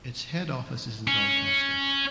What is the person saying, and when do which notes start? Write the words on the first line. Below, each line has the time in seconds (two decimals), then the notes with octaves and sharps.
Its head office is in Doncaster.
1.07 C#4